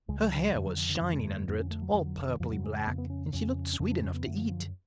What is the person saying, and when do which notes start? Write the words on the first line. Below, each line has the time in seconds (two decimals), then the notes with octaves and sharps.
Her hair was shining under it, all purply-black, and she looked sweet enough to eat.
0.08 C#2 C#3 G#3
0.20 F#3
0.31 F#3
0.43 F#3
0.55 F2 D3 F3
0.66 F#3
0.78 F3
0.89 D3
1.01 F2 D3 F#3
1.12 G#3
1.24 A3
1.36 A3
1.47 F2 D3 B3
1.59 C#4
1.71 A3
1.82 F#3
1.93 F2 F#3
1.96 D3
2.05 F#3
2.29 D3
2.40 F2 C#3 F3
2.51 F#3
2.64 G#3
2.87 F2 C#3 B3
2.98 B3
3.10 C#4
3.32 F2 C#3 C#4
3.73 C#4
3.79 F2 C#3 D4
3.91 D4
4.03 C#4
4.14 B3
4.25 F#2 D3 A3
4.38 F3
4.49 F3